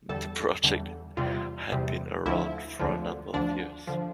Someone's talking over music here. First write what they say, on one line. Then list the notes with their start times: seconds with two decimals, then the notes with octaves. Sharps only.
The project had been around for a number of years.
0.09 E2 D3 G3 A4
0.63 E2 D3 G3
1.17 E2 C3 G3 F4
1.72 E2 C3 G3
2.26 D2 D3 F3 E4
2.79 D2 D3 F3
3.33 D2 D3 F3 D4
3.87 D3 F3